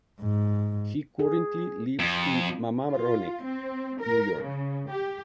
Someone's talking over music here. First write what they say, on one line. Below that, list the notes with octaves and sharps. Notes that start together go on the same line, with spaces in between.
He currently lives in Mamaroneck, New York.
G#2
G#4
F2
F4
C4
A#4
C#3
G4